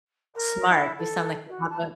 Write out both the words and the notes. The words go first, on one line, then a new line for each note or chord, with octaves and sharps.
Smart. You sound like you have a
A#4
E4
A4
F#4
A5